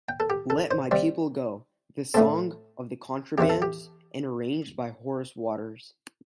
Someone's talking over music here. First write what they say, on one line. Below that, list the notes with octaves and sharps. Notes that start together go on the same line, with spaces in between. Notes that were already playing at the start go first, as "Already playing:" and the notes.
Let My People Go: The Song of the Contrabands, and arranged by Horace Waters.
G5
A4
G4
A4
C5
C3 G3 C4
A2 A3 C4 A4
E2 E3 C4 E4 G4
A4
G4